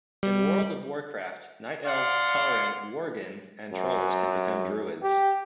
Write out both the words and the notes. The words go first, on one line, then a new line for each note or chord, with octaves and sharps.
In "World of Warcraft", Night Elves, Tauren, Worgen, and Trolls can become druids.
G3
D5 F5 F#5 C6
F#2
G4